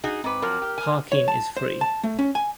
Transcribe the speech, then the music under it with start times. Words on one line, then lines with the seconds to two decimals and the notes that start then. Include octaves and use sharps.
Parking is free.
0.04 D#4 F#4 G#4
0.24 G#2 C4 B4 D6
0.42 F3 F#3 A#4 F6
0.62 G4
0.78 G#5
1.12 C#5
1.28 A5
1.57 C5
1.81 A5
2.04 A3
2.19 C#4
2.35 G#5